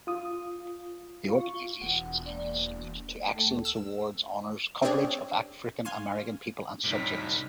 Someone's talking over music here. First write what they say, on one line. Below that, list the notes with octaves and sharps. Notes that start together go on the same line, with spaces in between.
The organization's annual Salute to Excellence Awards honors coverage of African-American people and subjects.
F4 D#6
F4 C#6
E1 F#5
A#3 D5
D#2 A3 A4
E6
C4 D4 G4 G#4 C#5 D5
F5 G#5 C6 D#7
C2 A2 D#4 B6